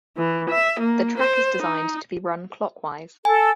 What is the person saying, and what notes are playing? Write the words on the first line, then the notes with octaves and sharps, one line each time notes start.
The track is designed to be run clockwise.
E3
E5
A#3
C5
D#4
A4 G#5